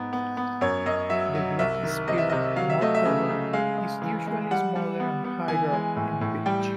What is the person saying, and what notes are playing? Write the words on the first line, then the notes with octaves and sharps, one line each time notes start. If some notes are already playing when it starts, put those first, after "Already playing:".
The glockenspiel, moreover, is usually smaller and higher in pitch.
Already playing: G#2 B3
B3
B3
F#2 C#5
F#2 D#5
F#3 E5
F#3
C2 E5
D#3
C3 D#5
E5
C3 D#5
F#3 F5
E5
A3 D#5
E5
C#3
C#3
G#3 F5
G#3
E3
G#3
G3 F#5
G3
B3
B3
E3 G#5
G#3
A2
A2
G3 G5